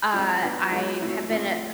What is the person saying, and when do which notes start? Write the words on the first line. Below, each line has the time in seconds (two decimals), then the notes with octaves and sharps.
Uh, I've have been a a
0.13 F3 G#3 C4
0.42 F3 B3 D4 F4
0.71 F3 G#3 B3
1.01 B2 A3 C4 E4
1.29 F3 A3 C4 F4